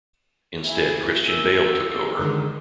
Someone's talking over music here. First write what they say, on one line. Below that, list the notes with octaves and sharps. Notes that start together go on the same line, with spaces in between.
Instead Christian Bale took over.
E4 G#4
A#4 E6
D3 D#3 G#3